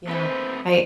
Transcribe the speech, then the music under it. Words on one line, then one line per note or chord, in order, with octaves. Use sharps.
Yeah, I
A3 C4 B4 C5